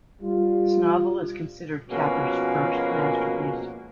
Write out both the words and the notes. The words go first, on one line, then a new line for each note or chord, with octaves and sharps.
This novel is considered Cather's first masterpiece.
G3 F4
B2 F3 G#3 A#3 C#4 F#4